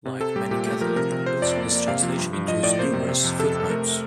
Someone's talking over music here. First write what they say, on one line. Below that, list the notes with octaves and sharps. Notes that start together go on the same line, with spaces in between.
Like many Catholic bibles, this translation includes numerous footnotes.
C3
C3 A4
G3 G4
A#2 G4
A3 G4
F3 A#4
C3 A#4
C3
F3 C5
F2 D5
A#3
A#3
C3 F5
F3
G2
G2
F3 D#5
A2 D5
A#3 C5
C3
C3
F2
C3 A4
C3
A4
A3 A#4